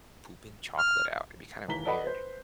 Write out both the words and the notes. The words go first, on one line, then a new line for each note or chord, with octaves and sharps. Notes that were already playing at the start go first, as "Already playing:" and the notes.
pooping chocolate out? It'd be kinda weird.
F6
D#2 E3 A#5 B6 G7
A4 B4 D5 D#5 F#5 B5
B4 C5